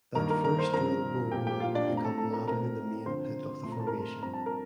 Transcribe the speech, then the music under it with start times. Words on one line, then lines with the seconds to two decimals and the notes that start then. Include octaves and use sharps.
That first drilled borehole would become latter the main pit of the Formation.
0.15 G2 D#3 A#3 A#4 A#5
0.30 A#4 A#5
0.44 A#4 A#5
0.58 C5 C6
0.73 G2 F3 C4 A#4 A#5
1.32 A#2 F3 A#3 G4 G5
1.47 G4 G5
1.60 F4 F5
1.75 D4 D5
1.90 A2 A3 C4
1.97 A#5
2.05 A4 A5
2.18 A4 A5
2.33 A#4 A#5
2.47 A2 A3 C4 A#4 A#5
3.06 D3 F3 C4 C5 C6
3.64 A#2 A3 C4 C6
3.72 A#5
3.80 A5
3.87 A#4 A#5
4.22 G2 F3 C4 A#5
4.33 A5
4.46 A#4 A#5